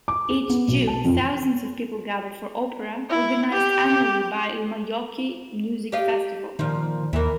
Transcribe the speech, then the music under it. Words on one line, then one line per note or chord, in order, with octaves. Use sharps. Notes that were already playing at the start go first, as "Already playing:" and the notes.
Each June, thousands of people gather for opera, organized annually by Ilmajoki Music Festival.
D6
G#4
B3
B1
A5
F2
E4
G4
G4 D#5 F5
A#2 D#3 F3
D#2 E3 A#3